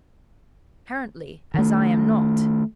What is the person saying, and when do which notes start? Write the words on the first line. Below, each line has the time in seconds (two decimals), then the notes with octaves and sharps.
"Apparently--as I am not."
1.54 D#3 A3